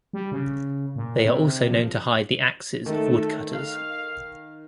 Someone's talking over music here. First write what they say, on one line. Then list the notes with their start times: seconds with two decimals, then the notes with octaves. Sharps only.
They are also known to hide the axes of woodcutters.
0.13 G3
0.32 C#3
0.96 A#2
1.25 C3
1.70 F3
2.86 D#3 A3 A4
3.52 F5